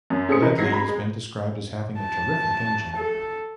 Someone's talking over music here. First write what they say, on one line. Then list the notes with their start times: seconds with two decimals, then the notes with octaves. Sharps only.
Ledley has been described as having a terrific engine.
0.10 F#2
0.29 C#4 G#4 A4 C5 D#6 C#7
0.42 E3 E4 A#4 B4 D#5
0.58 F#3 G#3 E4 G#6 A#6 C7
0.72 A#5 B5
0.88 G#3
1.99 A5
2.97 A4